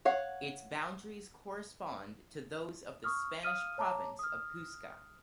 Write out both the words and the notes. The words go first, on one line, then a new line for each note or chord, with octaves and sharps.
Its boundaries correspond to those of the Spanish province of Huesca.
C#5 F5 F#5
C#6 D#6 F6
F5 D#6 F6 D#7
C#5 A5 A#5 D6
D#6 F6